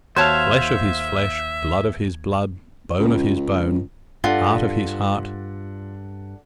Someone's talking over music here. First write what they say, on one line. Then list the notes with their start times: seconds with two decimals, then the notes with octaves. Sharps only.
Flesh of his flesh, blood of his blood, bone of his bone, heart of his heart.
0.16 D#2 F#4 C5 C#5 E5 F5 A5 G#6
2.99 C#2
3.36 C#2
4.24 G2 D4 F4 A4 F#5